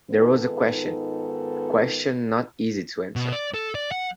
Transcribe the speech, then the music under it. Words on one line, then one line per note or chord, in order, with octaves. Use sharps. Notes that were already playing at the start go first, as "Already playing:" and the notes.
There was a question — a question not easy to answer.
G#2 D#3 B3 F4 A4 B4
B2
D5
A4
D5
F#5